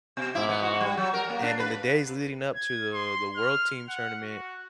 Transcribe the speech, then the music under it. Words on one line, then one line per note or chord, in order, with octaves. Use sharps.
Um, and in the days leading up to the the world team tournament,
B2
E4
B3
F#4
G3
F#3
A#4
A#3
D4
B4
G#6
C6
F6
F#5
F#4